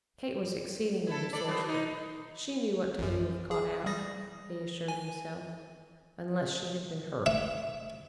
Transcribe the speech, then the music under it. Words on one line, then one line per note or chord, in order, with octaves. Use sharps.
Kate was exceedingly resourceful--she knew what to do if caught out, he assured himself, unless she had been hurt.
E4 A4
D4 A4 D5
F#3 B3 C4
D#3 D#4
A1 F#2
G#4
G3 D#6 A#6
G#5
E5